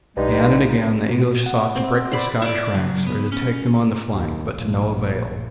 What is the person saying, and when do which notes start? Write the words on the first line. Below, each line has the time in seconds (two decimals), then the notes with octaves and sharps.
Again and again the English sought to break the Scottish ranks or to take them on the flank, but to no avail.
0.17 B1 G2 G#3 D#4
1.09 A#2 F#4
1.46 F#5
1.75 C4
2.11 C5 D5 B5
2.42 E4 D5
2.75 C#3 F#3
3.07 B3
3.32 C#4
4.14 D#2
4.54 A#1